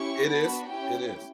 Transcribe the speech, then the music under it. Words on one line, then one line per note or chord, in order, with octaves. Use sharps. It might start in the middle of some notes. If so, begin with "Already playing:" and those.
It is, it is.
Already playing: C#4 E4 G4 C#6
B3 D4 F#4 B5
C#4 E4 G4 G5